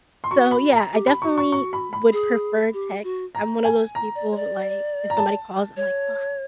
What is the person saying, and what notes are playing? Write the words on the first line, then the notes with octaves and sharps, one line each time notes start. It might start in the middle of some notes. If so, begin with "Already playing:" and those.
So, yeah, I definitely would prefer text. I'm one of those people, like, if somebody calls, I'm like, "Ugh,
C6
F#4 C#6
B5
A#5
G4
B5
F#4 C#6
C#6
C#6
B5
B5
G#4
G4
F#4
A#5
G#5
A#5
D5
C#5
D5
A#5
A5
C#5